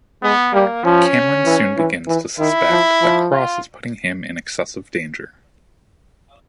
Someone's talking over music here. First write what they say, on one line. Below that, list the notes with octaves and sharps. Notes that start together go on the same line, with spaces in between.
Cameron soon begins to suspect that Cross is putting him in excessive danger.
G#3 B3
G3 A#3
F3 C#4
E3
E3
E3
D#3 E4
F3
F3
F4